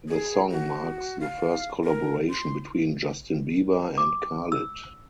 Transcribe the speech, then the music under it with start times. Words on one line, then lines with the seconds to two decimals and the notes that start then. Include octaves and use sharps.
The song marks the first collaboration between Justin Bieber and Khalid.
0.09 G#4
0.51 F#4
1.20 F5
1.84 A#4
2.30 C6
3.98 D6
4.52 E6